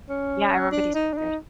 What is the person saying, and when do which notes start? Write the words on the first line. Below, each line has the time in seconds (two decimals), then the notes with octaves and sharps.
Yeah, I remember these pictures.
0.09 C#4
0.72 D4
0.95 D#4
1.13 D4
1.18 D#4